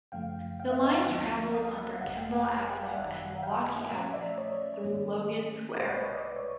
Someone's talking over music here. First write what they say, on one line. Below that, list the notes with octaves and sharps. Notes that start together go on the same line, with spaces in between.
The line travels under Kimball Avenue and Milwaukee Avenues through Logan Square.
F#2 C#3 F3 A3 F5 G5
F5 G5
E5 F#5
D#5 F5
E5 F#5
D2 D3 F3 G#3 B3
D#5 F5
E5 F#5
F5
G#1 F#2 D3 E5 F#5
F5 G5
F#5 G#5
F5 G5
E5 F#5
D5 E5
G#1 F#2 D#3 E5 F#5
F5 G5
F#5 G#5
A#2 F3 A3 C#4 E5 F#5
D5 E5
C#5 D#5
G#2 D#3 F#3 A#3 C#4
C2 B2 G#3 C5 D5
B4 C#5
C#5 D#5
D5 E5
D5
C#5